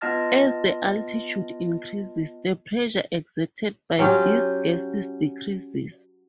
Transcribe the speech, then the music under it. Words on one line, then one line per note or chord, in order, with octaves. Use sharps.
As the altitude increases, the pressure exerted by these gases decreases.
B3 F4 D#5 A5 F6 A6
F#3 C#4 F4 G4